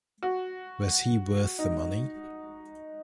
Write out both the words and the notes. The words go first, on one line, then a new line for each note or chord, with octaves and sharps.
Was he worth the money?
F#4
D#4